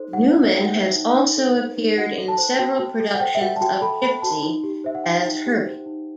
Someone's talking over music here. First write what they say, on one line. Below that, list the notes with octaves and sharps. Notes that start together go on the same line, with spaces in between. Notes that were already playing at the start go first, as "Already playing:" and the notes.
Newman has also appeared in several productions of "Gypsy" as Herbie.
Already playing: D#4 A4 C5
D#4 F#5
D#4
E5
A4 G5
F#5
C5 E5
D#4
D#4
A4
C5
D#4
F#4 F#5
A4
A5
C5
F#4 G5
F#4
A4
F#5
C5 G5
E5
F#4 F#5
A5
F#4 G5
A4 B5
C5 B5
F#4 A5
D#4
G4
C5 E5
F#5
D#4 G5
D#4
G4
C5
D#4